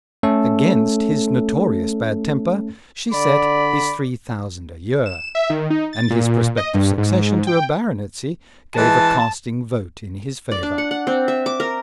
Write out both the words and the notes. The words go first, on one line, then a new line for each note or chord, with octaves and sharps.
Against his notorious bad temper she set his three thousand a year, and his prospective succession to a baronetcy gave a casting vote in his favour.
A3 C#4 A4
D3 D5 B5
E7
E5
D#3
D#4
A6
A#2
D#5
G2
G#2
G5
E3 G#3 A5
D5
D4
F#5
F#5
C4
E5
D6
A#4